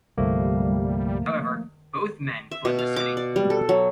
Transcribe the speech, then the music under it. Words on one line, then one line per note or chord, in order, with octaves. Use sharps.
However, both men fled the city.
C2 G2 D3 F3 G3 A3 A#3
E5
B2
F5
D6
D5
G3
A4
F#3